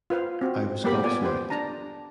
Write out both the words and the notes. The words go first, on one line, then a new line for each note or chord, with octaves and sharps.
I was gobsmacked.
F4 B4 C5 F5
C4 F#4
G3 A#3 B3 G4 A#4 B5
B3 F4 D5 G#5
G4 B4 C5
D4 A5 A#5